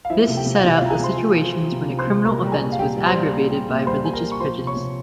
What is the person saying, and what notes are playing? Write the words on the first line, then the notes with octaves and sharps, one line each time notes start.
This set out the situations when a criminal offence was aggravated by religious prejudice.
F5
F3 E4 E5
C3
G4 G5
C3
F5
C3 E4 E5
F4 F5
C3 A#5
G#4 G#5
C3 C5 C6
F3
C3
F3
C3
C3
C5 C6
C3
A#2 A#4 A#5
G3 A#5
G#4 G#5
A#2
F5
A#2 G4 G5
G3
C5 C6
G3
A#2
G3
A#2
G3 C5 C6
A#2 G#5
A#4 A#5
A#2
C#6
F3 C5 C6
C3
C#5 C#6
C3